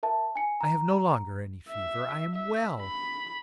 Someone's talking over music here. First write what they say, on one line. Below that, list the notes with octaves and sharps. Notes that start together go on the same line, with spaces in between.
I have no longer any fever; I am well.
A#4 E5 A5
G#5 C#7
A#5
E5
E5
B5